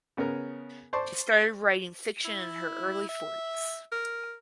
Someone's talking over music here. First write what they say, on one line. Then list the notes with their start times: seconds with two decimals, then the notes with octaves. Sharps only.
She started writing fiction in her early forties.
0.17 C#3 B3 C#4 A#4
0.93 C5 D5 A5 C6 C#6
2.25 E4
3.09 E5
3.92 A#4